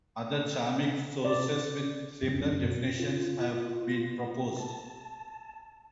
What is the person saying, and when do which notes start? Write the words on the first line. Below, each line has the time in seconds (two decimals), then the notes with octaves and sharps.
Other Chamic sources, with similar definitions, have been proposed.
1.25 D5
2.23 F#2
2.40 F#2
2.65 B2
3.00 F4
4.57 A5